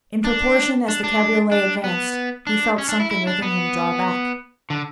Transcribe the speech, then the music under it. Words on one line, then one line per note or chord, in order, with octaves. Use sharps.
In proportion as the cabriolet advanced, he felt something within him draw back.
D4
D4
D4
D4
B3
D4
C#4
D4
E4
E4
D4
B3
D3